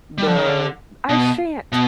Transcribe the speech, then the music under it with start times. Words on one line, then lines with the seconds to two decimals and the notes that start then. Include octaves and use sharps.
the "I shan't,
0.18 G3
0.27 F3
0.37 D#3
0.47 D3
1.09 B2
1.72 B2